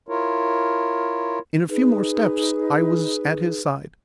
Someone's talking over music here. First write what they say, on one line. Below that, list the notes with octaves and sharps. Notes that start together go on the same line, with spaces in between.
In a few more steps I was at his side.
E4 F4 A#4 C#5
D#4 G#4 B4